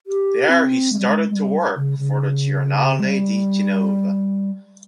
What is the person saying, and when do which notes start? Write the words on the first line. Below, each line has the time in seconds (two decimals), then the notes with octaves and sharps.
There he started to work for the "Giornale di Genova".
0.07 G4
0.49 C4
0.92 G#3
0.99 G3
1.07 G#3
1.30 G#3
1.34 G3
1.77 C#3
1.99 C#3
3.00 G#3
3.04 G3